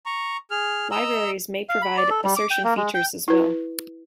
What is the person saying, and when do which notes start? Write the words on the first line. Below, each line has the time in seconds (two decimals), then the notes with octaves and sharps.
Libraries may provide assertion features as well.
0.06 A#5 C#6
0.51 G#4 F6
0.91 D#5 A#5 E6
1.69 F5
1.82 B5
1.97 D5
2.10 A4
2.24 G3
2.37 D6
2.51 G5
2.64 A#3
2.77 G#3
2.94 G5
3.28 E4 B4